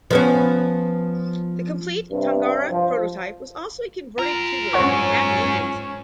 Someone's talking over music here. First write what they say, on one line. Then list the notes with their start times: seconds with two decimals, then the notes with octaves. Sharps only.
The complete Tangara prototype was also a converted Cougar and had the engines.
0.11 F3 B3 C#4
2.12 G2 C3
2.70 F3
4.19 F#2 F4 A#4
4.73 G#2 C#4 C#5 F#5 C#6